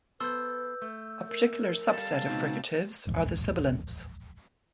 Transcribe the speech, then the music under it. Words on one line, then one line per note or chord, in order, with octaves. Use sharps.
A particular subset of fricatives are the sibilants.
B3 A4 B4 C5 E6 G6
A3
A#4
G3 A4 F5 A5
C#2 B2 C4 D#4
D1 A#1 E2 G#2